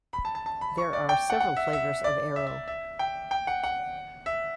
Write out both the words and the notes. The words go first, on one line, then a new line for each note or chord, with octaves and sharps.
There are several flavours of Aero.
B5
A5
A5
A5
B5
C#6
D5
G5
F#5
F#5
E5
E5
D5
E5
E5
E5
G5
G5
F#5
F#5
E5